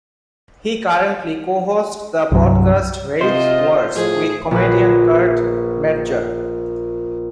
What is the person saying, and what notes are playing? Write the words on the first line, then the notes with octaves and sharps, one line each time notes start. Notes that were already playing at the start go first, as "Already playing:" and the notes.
He currently co-hosts the podcast "Race Wars" with comedian Kurt Metzger.
C2 G2 F#3
C3 F4 C5 D#5
A2 F3 G#4
A#1 B4